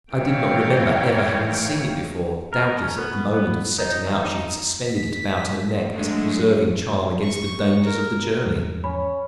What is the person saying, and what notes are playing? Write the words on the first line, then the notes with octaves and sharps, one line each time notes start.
I did not remember ever having seen it before; doubtless, at the moment of setting out she had suspended it about her neck as a preserving charm against the dangers of the journey.
D#3 E3 C#5 F5 G5
A#4
C#4
B3
B3
D#4
D#3
D#4
B6
D3 F#3 G#3 A3
C#6
A#4
E2 G#2 F3
C#4 B5